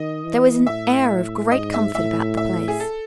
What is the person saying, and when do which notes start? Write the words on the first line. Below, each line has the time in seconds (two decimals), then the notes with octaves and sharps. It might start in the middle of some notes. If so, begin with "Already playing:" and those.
There was an air of great comfort about the place.
Already playing: D#3 D#5
0.24 E3
0.67 A2 E5
1.52 G#2 D#5
1.74 E5
1.95 A2 E5
2.37 E5
2.68 G#4
2.80 A4